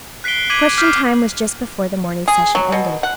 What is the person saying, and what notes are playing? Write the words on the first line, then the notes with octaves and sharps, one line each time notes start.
"Question time" was just before the morning session ended.
F#6 B6 C7 D7 G7
D6 G#6 B6 D#7 F#7
D6 F6 G6 B6 C7
G#4
F#3
B2
F#5